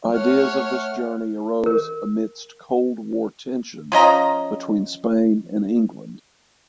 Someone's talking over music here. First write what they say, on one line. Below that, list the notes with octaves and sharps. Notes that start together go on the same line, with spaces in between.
Ideas of this journey arose amidst cold war tensions between Spain and England.
A3 C#5 F#5 F6
A#4
F3 C#4 D#5 A#5